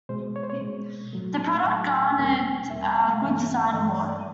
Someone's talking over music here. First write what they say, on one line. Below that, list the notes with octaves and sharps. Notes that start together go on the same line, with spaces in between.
The product garnered a Good Design Award.
B2 G#3 C5
C#5
C5
C#5
B2 G#3
A2 F#3 A3
A2 F#3 A3 F5
E2 B2 G3 A#3
E2 B2 G3 A#3 E5
F#5
F5
G2 E3 A3 E5
G2 E3 A3 D#5
D5
D5